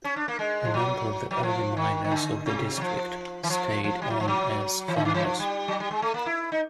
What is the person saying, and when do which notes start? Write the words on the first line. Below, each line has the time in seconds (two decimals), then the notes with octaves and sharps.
A number of the early miners of the district stayed on as farmers.
0.04 C#4
0.16 D4
0.28 A#3
0.39 G#3
0.65 F3
0.74 F#3
1.31 F#3
1.43 F3
1.77 D#3
2.04 D#3
2.12 D3
2.46 C3
2.77 F#3
2.81 F3
3.43 E3
3.50 F3
3.84 F3
4.02 G3
4.10 F#3
4.20 F3
4.28 F#3
4.88 E3
4.96 D3
5.05 D#3
5.14 E3
5.23 F3
5.39 G3
5.68 F#3
5.80 G3
5.91 G#3
6.02 A3
6.14 A#3
6.26 E4
6.52 D#4